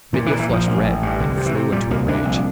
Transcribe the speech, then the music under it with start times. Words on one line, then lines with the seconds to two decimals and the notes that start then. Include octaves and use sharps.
Mitya flushed red and flew into a rage.
0.13 A#2 E3
0.26 E3
0.31 A#2
0.39 E3
0.49 A#1 F3
0.67 A1
0.84 A1
1.03 G2
1.20 C2 D3
1.37 C3
1.46 E3
1.54 C3
1.72 A#2 G3
1.90 C2 A#3
2.08 C2 D4
2.25 A#1